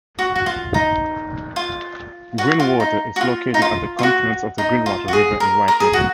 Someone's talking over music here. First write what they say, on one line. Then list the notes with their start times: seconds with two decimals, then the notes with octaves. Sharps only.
Greenwater is located at the confluence of the Greenwater River and White River.
0.19 F#4
0.36 F#4
0.46 F4
0.74 D#4
1.56 F4
2.38 F#4
2.60 F4
2.80 D#4
3.16 F#4
3.21 F4
3.54 D#4
3.62 F4
3.99 F4
4.03 F#4
4.58 D#4
4.86 F4
5.08 F#4
5.13 G#4
5.40 A#4
5.68 A#4
5.80 G#4
5.93 F#4